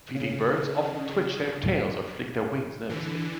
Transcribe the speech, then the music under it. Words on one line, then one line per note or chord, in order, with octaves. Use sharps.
Feeding birds often twitch their tails or flick their wings nervously.
C#3
D3 E3